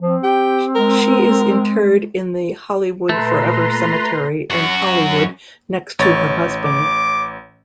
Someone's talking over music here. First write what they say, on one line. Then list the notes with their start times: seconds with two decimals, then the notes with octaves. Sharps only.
She is interred in the Hollywood Forever Cemetery in Hollywood next to her husband.
0.01 F3 C4
0.23 G4 G5
0.76 G#3 A#4
3.09 A#2 A3 B4 A#5 C6
4.50 F#2 F#4
5.99 A1 C#5 A6
6.65 D6